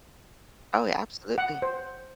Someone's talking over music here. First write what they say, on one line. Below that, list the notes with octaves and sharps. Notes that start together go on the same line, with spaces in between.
Oh, yeah, absolutely.
F#5
C5